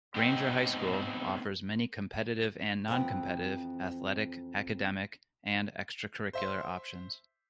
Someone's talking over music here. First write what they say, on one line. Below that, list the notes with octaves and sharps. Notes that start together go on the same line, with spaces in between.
Granger High School offers many competitive and non-competitive athletic, academic, and extra-curricular options.
B3 C4 D#4 G5
F2 E3 A3 B3 C4 B4
C5 E5 C6